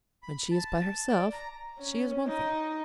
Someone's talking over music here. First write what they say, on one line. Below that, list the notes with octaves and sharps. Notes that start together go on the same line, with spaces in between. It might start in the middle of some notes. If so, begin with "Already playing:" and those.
When she is by herself, she is one thing.
B5
A5
D5
A#5
C#4
D#4